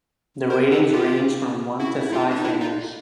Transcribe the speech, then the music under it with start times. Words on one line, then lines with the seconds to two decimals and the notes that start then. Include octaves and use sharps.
The ratings range from one to five fingers.
0.50 A#4 C5
0.72 A4 B4
0.93 F4 G4
1.80 E4 F#4
2.01 E4
2.12 D#4 F4
2.31 D4
2.38 D#4
2.45 D4 E4
2.61 D#4 F4